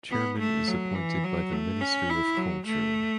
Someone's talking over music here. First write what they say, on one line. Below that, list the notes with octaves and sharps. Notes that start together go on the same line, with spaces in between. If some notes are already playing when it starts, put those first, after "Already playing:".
Chairman is appointed by the Minister of Culture.
B3
A3
F#3
E3
F#3
A3
C#4
E4
F#3
A3